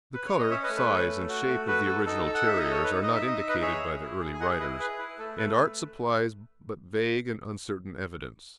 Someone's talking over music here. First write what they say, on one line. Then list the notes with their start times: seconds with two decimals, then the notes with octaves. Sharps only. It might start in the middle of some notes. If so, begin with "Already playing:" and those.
The colour, size, and shape of the original terriers are not indicated by the early writers, and art supplies but vague and uncertain evidence.
0.14 B4
0.26 C#5
0.38 D#5
0.50 C#4 C#5 E5
0.63 B4 D#5
0.69 A3
0.77 B4
0.89 C#4
1.08 A3
1.29 F#4
1.47 A3
1.67 F#4 B4
1.86 A4
2.06 D#4 A4
2.25 A4
2.34 F#5
2.45 D#4 E5
2.60 D#5
2.65 A4
2.71 C#5
2.84 D#4 B4
3.03 D#4 D#5
3.14 E5
3.23 D#4 D#5
3.37 E5
3.43 D#4
3.49 B4 D#5
3.62 G#4 C#5 E5
3.82 G#4
4.02 E4
4.20 G#4
4.34 G#5
4.40 G#4 D#5 F#5
4.59 E4 B4 D#5
4.79 G#4 B4
4.98 E4 B4
5.19 A3 A4
5.37 A3 B4